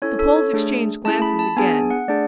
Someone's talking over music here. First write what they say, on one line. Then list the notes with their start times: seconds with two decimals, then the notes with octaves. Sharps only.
The Poles exchanged glances again.
0.02 C#4 E4 A4 C#5
0.19 A4
0.36 C#5
0.53 A3 D4 G#4
1.05 A3 C#4 E4 G#4 A5
1.22 B5
1.39 A5
1.57 B3 D4 G#4 G#5
1.90 F#5
2.08 A3 D4 G#4 D5